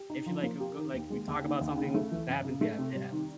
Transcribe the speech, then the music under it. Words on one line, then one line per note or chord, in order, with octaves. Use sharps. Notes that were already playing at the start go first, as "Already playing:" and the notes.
if she like, a g like, we talk about something that happens, we have it happens.
Already playing: G4
D#4
F3
A#3
G4
D#3
D#2
G#3
D#2
D#3
D#2
C#3
A3
E3
F#2
C#3
A3
C3
G3
D#3